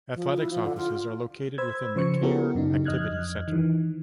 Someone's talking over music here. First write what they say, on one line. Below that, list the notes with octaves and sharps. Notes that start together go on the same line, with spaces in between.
Athletics offices are located within the Kerr Activities Center.
F3
E4
F3
D3
F4
C5 B5 E6 G#6
C#3 F3 C5 C#6 C#7
B3 E4 F#4 G4 A4 A#4
F#2 C#3 D4 D#4
F2 D#5 F6 F#6 G#6
D#3 E3